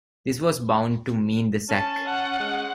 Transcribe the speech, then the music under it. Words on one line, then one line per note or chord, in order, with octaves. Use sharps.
This was bound to mean the sack.
C#4 A5
F#5
G#3